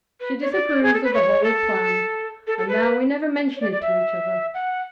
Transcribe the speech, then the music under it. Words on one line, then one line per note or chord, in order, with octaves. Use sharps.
'She disapproves of the whole plan, and now we never mention it to each other.
B4
C#5
D5
G#4
A4
B4
C#5
A4
A4
A4
B4
C#5
D5
D5
E5
F#5